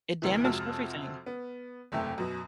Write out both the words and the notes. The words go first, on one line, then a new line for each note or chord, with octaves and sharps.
it damaged everything.
D2 C3 E3
F2 C3 G#3 F#4 A5 F6
B3
F#1 E2 C3 A3 G5
F#2 B2